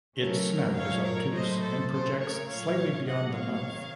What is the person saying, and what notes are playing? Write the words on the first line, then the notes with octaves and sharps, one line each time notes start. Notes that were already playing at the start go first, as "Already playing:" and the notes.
Its snout is obtuse and projects slightly beyond the mouth.
C#3 F#3 A3 A#4 C#5
A#2 F#3 A3 C#5 F5
A#4 C#5
A2 F#3 A3 C5 D#5
A4 C5
C#3 A3 A4 C5
A#4 C#5
A#2 F#3 A3 C#5 F5
A2 F#3 A3 D#5 F#5
C#5 F5
C3 D#3